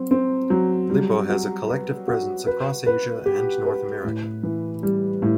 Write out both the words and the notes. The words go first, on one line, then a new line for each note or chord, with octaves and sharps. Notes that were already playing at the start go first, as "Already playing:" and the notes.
Lippo has a collective presence across Asia and North America.
Already playing: F#3 C4
C4
F#3
G3
F#4
B4
F#4
B4
B4
G4
B4
A2
E3
G3
A2